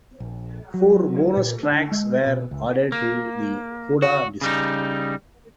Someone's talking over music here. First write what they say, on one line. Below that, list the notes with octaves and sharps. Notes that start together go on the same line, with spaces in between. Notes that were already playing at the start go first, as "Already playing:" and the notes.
Four bonus tracks were added to the "Coda" disc.
A#1
F#3
A#2
D4
G#3
B2
C#2
A#3
F#4
C#3 G3 D#4